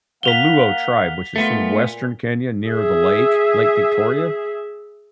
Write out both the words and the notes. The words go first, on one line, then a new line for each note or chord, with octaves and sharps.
the Luo tribe, which is from Western Kenya near the lake, Lake Victoria.
A#3 F5 F#5 B6 F7 G7
A#2 A3 B3 F4
G#4 E5